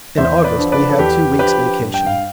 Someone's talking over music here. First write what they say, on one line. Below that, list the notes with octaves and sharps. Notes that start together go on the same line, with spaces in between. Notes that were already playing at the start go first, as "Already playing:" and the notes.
In August we had two weeks' vacation.
E2 C5 E5
B4 D5
D3 F3
B4 D5
A4
E2 G4 B4
D3 F3 G4 B4
G2
G5
F5